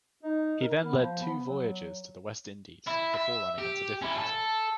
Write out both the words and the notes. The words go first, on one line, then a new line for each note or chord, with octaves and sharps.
He then led two voyages to the West Indies before running into difficulty.
D#4
A#4
B3
F3
B3
F#3
E4
E5
G4
C#4 E4
A4